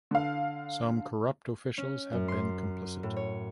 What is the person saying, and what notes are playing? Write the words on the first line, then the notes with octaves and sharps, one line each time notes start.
Some corrupt officials have been complicit.
D3 F5
C#4
F#2
C6
A2
C#5